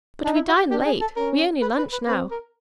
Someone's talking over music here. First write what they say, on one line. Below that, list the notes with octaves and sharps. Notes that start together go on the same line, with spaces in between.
But we dine late, we only lunch now.
D4 D#4
E4
F#4
G4
D4 G4
G#4
A4
C#4 A#4
B4
B4
B4
C4 B4
A#4